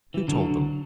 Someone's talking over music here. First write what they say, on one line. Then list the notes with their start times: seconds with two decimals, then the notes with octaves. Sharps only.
"Who told them?"
0.14 E3
0.28 D3 F#3